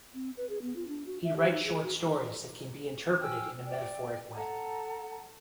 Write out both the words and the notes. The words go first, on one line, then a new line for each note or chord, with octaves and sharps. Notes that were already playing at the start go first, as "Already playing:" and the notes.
He writes short stories that can be interpreted in a metaphoric way.
C4
B4
G#4
B3
F4
D4
F#4
E5
G4
D#4
G#4
F#4
G5 G#5 E6 F6
D5 G5
A4 F#5 A5 A#5